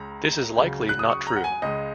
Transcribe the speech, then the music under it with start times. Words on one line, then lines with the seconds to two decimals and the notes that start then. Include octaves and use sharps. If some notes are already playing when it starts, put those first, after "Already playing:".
This is likely not true.
Already playing: C#2 C#3 G#3 A#5
0.56 C#2 C#3 F#3
0.89 F#6
0.99 D#6
1.10 C#6
1.27 A#5
1.36 F#5
1.44 G#5
1.62 C#2 C#3 G#3 D#5